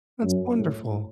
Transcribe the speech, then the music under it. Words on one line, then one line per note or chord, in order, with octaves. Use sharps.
That's wonderful.
F#2
A2